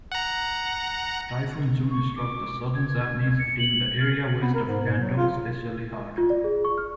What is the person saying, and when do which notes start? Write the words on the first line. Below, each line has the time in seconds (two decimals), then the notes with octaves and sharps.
Typhoon June struck the Southern Japanese hitting the area west of Kanto especially hard.
0.12 F#5 A#5
1.91 C#6
2.16 D6
2.75 G#6
3.39 C#7
3.59 F#7
4.00 F6
4.41 B3
4.55 A#4
4.67 G#2
4.86 G#2
5.00 F#3
5.17 F4
6.18 F4
6.30 D5
6.44 G#4
6.65 C#6
6.78 F6